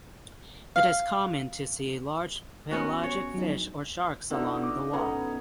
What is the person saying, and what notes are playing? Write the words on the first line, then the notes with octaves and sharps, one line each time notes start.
It is common to see large pelagic fish or sharks along the wall.
F5
B3 C#4 F#4
C#5
F#3 D#4
D3 E3 B3 D#4 F#4
D#5 D6
B2 B3 C#4 A4 B4 A#5